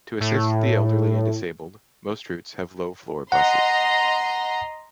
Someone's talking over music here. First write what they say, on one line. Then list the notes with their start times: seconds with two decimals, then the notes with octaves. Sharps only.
To assist the elderly and disabled, most routes have low-floor buses.
0.20 A2
3.32 D#5 F#5 A#5 C6